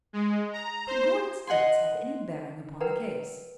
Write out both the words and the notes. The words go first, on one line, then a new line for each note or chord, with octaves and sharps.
Could Gordon's debts have any bearing upon the case?
G#3
A#5
C5
D#5 F#5 G#5 C6
A#4 B4 F#5 G5 A#5